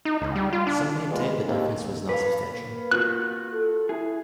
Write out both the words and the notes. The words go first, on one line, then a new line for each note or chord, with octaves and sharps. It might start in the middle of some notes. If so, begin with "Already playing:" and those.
Some maintain the difference was not substantial.
D#4
C#2
G3
F4
D4
G2 A#2 G#3 B3 F4 B4
D#2 C3
B4 F5
A#3
F4 F#4 F#6
A4
E4 G#4